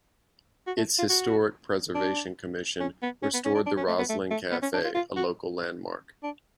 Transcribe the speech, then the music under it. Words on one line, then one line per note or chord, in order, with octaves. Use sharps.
Its Historic Preservation Commission restored the Roslyn Cafe, a local landmark.
F#4
A3
F4
F#4
D4
C#4
B3
C#4
B3
C#4
D4
D4
C#4
A3
B3
A3
A3
B3
C#4
D4
F4
F4
F#4
D4